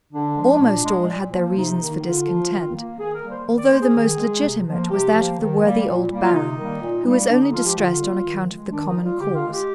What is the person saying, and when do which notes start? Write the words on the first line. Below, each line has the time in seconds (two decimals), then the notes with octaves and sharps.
Almost all had their reasons for discontent, although the most legitimate was that of the worthy old Baron, who was only distressed on account of the common cause.
0.12 D3 D4
0.37 F3 G#3
0.60 A#2
0.83 G#3
1.07 A#2
1.32 F3 A#3
1.56 C3 D#4
1.79 D#3 A#3
2.03 D3 F4
2.27 F3 A#3
2.51 D#3
2.75 A#3
2.99 D#3 G#4
3.15 A#4
3.23 G3 A#3
3.31 C5
3.47 D#3
3.59 D5
3.70 A#3 C5
3.82 G#4
3.95 D#3
4.18 G#3
4.42 C3
4.66 F3 A#3
4.90 C3 G4
5.13 F3 A#3
5.38 D#3
5.62 G3 A#3
5.86 A#2
6.10 G3 A#3
6.23 F4
6.33 C3 D#4
6.57 D#3 G3 A#3
6.80 A#2
7.04 G3 A#3
7.28 D3 D4
7.41 D#4
7.52 F3 G#3 F4
7.65 G4
7.76 D3 F4
8.00 G3 A#3
8.24 D#3
8.49 G#3
8.71 D#3 D4
8.87 D#4
8.96 G3 A#3
9.03 F4
9.19 D3 G4
9.35 F4
9.44 G#3
9.52 G4